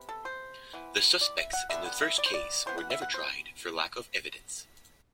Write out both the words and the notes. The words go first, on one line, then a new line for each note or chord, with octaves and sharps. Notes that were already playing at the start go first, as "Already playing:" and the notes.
The suspects in the first case were never tried, for lack of evidence.
Already playing: C3 B3
A4
C5
E3 B3
D5
E5
F#5
D3 G3 B3 E5
F#5
E5
D5
C5
D5
E3 B3 C5
F#5
E5
F#5
C5